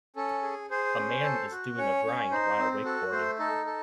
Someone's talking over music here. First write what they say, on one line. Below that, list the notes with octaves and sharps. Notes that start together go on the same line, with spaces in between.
A man is doing a grind while wakeboarding.
C#4 A4
G#4
G#4 C5
C#4
A4
F#4
C#4 C#5
C#4
D#4 C5
C4
F#4 A4
A3 C5
D#4 A4
A4